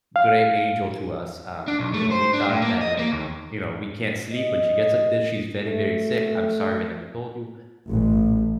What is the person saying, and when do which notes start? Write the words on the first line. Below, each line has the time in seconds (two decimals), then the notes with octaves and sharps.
great angel to us." Um, you know, "we thought that like" you know, "we can't sleep when she gets like this. She's very, very sick. I'm sorry we never told you."
0.16 F5
1.68 D4
1.80 B1
1.94 A3
2.11 C5
2.34 D4
2.49 A2
2.62 A#3
2.81 D#5
2.99 A#3
3.12 D#2
4.33 D#5
5.65 A3
7.91 A1